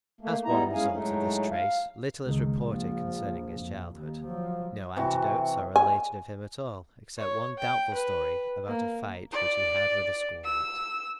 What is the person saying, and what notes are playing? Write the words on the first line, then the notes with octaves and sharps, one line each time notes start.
As one result of this trait, little is reported concerning his childhood. No anecdotes are related of him at all, except one doubtful story about a fight which he had with a schoolmate.
A3 A#3
E2 G3 B3 D#4 E4 A#5
G#3 C#4 E4 G#4 F5 G#5
A2 F#3 G#3 A3 D#4
F5
C#2 D#3
A#1 F3
F2
D#2
F3 F#3
C3 E3 F#4
G#5
C#5
G5
B4
A#3
D5
E6